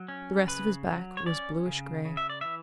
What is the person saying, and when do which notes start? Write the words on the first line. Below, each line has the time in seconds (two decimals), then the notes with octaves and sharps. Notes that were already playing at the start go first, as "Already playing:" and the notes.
The rest of his back was bluish-gray.
Already playing: F#3
0.08 C#4
0.47 C#3 B4
0.87 F#3
1.17 C#5
1.26 C#4 D5
1.66 C#3
2.05 C#3
2.17 E5
2.30 D5
2.41 E3 E5